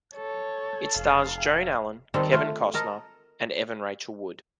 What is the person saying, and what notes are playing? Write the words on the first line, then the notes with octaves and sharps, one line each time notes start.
It stars Joan Allen, Kevin Costner and Evan Rachel Wood.
A4 C#5
F1 F5
D#3 G3 C4 A4
A3 F4
A4 A#4 D#5